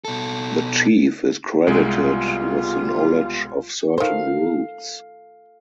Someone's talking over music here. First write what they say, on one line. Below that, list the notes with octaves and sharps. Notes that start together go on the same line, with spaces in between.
The chief is credited with the knowledge of certain roots.
B2 A4
C2 B2 G3 G#3 F4
D#3 A4 C5 F5